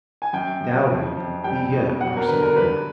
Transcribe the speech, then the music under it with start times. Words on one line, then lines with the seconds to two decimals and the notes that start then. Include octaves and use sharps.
Doubting, he yet persevered.
0.22 G#5
0.33 F#2 G5
0.60 F#2
0.88 F2
1.17 F2
1.44 G3 G5
1.72 B2
2.01 F#3 F#5
2.17 A#4
2.28 D3 B4
2.42 A#4
2.55 G2 B4